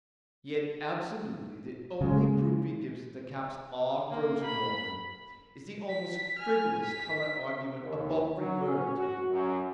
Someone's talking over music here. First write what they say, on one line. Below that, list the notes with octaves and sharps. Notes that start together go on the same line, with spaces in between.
Yet absolutely the only proof he gives that the caps are frozen water is the almost frivolous colour-argument above referred to!
C#3 G#3
A#3
B5
B6
G#5 F6
B6
D#2
F#3
C#4
F#4
F#2